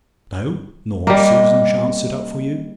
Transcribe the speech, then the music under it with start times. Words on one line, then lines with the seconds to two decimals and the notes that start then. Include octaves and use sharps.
No: nor Susan shan't sit up for you.
1.07 G3 A#3 D#5